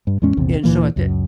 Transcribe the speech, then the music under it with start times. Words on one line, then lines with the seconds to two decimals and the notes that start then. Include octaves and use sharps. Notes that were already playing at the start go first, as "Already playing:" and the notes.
And, so, at that
0.07 G2
0.22 E2 A2 G#3 C#4
0.37 A#1 E2 C3
0.64 D2 A#2 E3 A#3
0.96 C#2 F#2